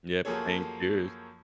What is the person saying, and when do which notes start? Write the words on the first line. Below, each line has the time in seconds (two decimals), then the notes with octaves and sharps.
yep, staying curious.
0.25 F#2 F3 A#3 G#4 A4 C#5